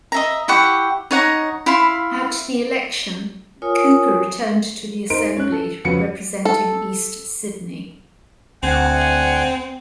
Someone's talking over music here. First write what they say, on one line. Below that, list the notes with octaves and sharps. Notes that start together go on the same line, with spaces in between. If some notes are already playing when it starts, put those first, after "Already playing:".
At the election Cowper returned to the Assembly representing East Sydney.
D#5 E5 A#5
E4 G4 F#5 C#6
D#4 C#5 F#5 A#5
E4 F5 B5 C6
F4 A#4 C#5 G#5 D#6
D#4 A#4 C5 D7
C#4 F#6
A4
F2 C#3 F#4 B4 C#7
A4
D2 C4 F#5 G#5